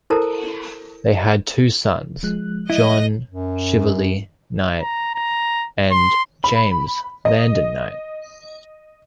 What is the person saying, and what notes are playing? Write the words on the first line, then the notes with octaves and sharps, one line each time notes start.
They had two sons, John Shively Knight and James Landon Knight.
E4 A4 A#4 C5 A5 A#5
F3 G#3 F#6
E4 D#5
F#2
A#5
A#5
C6
B5
D#5